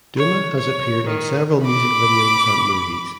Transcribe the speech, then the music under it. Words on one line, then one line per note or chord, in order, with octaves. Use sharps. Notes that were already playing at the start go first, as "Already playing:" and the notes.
Duma has appeared on several music videos and movies.
C#5
C#5
D#3
B5 D6